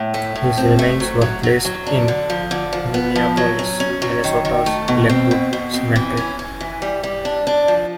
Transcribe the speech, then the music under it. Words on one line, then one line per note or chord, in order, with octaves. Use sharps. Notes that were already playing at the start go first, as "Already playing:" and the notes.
His remains were placed in Minneapolis, Minnesota's Lakewood Cemetery.
Already playing: A2
A3
A2
C4
A3
F#3
F#3
F#3
F#3
D4
D3
F3
D3
F3
B3
F3
F#3
C#4
C#4
F#3
D#3
D#3
A3
B2
C4
B2
B2
C4
E3
C#4
C#4
E3
G3
G3
D4
D4
F3